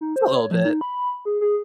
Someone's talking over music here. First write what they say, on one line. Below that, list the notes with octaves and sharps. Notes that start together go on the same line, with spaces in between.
A little bit.
D#4
C5
C#5
F3
D#4
B5
G#4
G#4